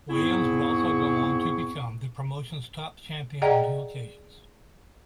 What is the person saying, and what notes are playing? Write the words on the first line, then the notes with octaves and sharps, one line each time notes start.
Williams would also go on to become the promotion's top champion on two occasions.
E2 G#2 C4 E4 G#4 C#6
G#4 D5 D#5 F#5 G5 A#5